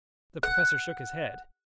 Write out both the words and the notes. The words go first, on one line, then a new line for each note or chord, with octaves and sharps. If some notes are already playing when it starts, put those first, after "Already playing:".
The Professor shook his head.
F#5